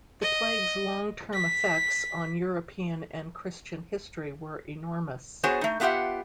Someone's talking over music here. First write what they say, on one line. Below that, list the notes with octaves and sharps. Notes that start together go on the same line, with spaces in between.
The plague's long-term effects on European and Christian history were enormous.
D#5
B6
B3 F#4 G#4 C5 C#5
A3 D#4
A3 B3 F4 G4 E5 F#5